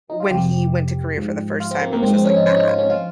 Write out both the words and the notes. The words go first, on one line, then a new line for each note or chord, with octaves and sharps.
when he went to Korea for the first time, I was just like, "Ah."
D#4
F4
F2 C3 F3 G4
G#2 F3
F4
C4
A#3
A#3
G#2 F3 C4
C4
C#4
D#4
C#4
D#4
F4
C#4
F3 F4